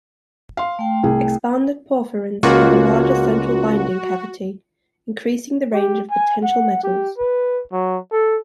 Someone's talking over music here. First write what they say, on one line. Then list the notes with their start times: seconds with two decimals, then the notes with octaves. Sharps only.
Expanded porphyrins have a larger central binding cavity, increasing the range of potential metals.
0.57 F5 C6
0.79 A3 G5
1.03 C2 G#4
2.43 C#2 A#3 F4 F#4
5.74 G4
6.10 G#5
6.43 F#5
6.84 G4
7.18 B4
7.72 F#3
8.12 A4